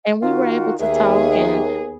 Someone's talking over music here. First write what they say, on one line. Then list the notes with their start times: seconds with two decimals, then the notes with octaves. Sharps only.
and we were able to talk, and
0.22 D#3 F4 F#4
0.80 D#2 B3 G#4 E5